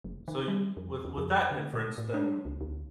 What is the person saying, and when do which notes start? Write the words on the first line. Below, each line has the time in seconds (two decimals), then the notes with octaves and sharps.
so you with with that inference, then
0.04 F1
0.28 D#3
0.48 G3
0.77 F2
1.05 E2
1.17 F2
1.51 D3
1.73 A#2
1.98 A2
2.14 D4
2.45 C#2
2.61 D2